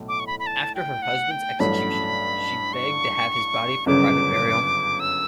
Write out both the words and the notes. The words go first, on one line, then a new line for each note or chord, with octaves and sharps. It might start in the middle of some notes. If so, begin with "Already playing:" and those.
After her husband's execution, she begged to have his body for private burial.
Already playing: B1 A2
D6
C#6
B5
B5
A5
G5
F#5
G5
A1 G2 F#3 A3 C#4 B5
C#6
G1 F#2 C#3 D6
E6